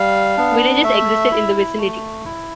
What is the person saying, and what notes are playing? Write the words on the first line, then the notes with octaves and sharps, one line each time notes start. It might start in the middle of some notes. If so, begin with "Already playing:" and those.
Villages existed in the vicinity.
Already playing: G3 F5
B3 D4
A3 E5
E4
A3
E4